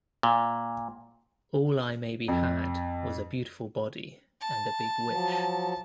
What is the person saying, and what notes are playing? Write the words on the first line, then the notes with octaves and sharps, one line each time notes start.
All I maybe had was a beautiful body and a big wish.
A#2
F2
A5
F3 F#3